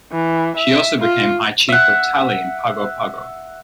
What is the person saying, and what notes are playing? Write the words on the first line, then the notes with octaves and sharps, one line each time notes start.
She also became High Chief of Tali in Pago Pago.
E3
E5
F4
E5 F#5